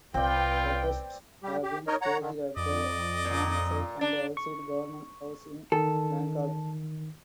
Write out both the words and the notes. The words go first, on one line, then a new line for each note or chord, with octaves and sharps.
Protests have been staged at the dam site and outside Government House in Bangkok.
C2 C3 C4 F4 B4 D5 G5
G3 G4
G4
D#4 A#4 C#5 D#5
C#5 F#5 A#5
D3 D#3
F2 D5 D#5
A#2
D4
C#6
D#3 A4